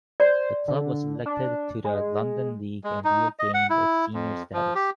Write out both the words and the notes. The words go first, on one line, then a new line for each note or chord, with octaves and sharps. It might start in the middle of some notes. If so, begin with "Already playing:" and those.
The club was elected to the London League and regained its senior status.
C5 D5
D3
D4
G#3
G#3
D#4
D#5
F#5
E4
F2
F3
G4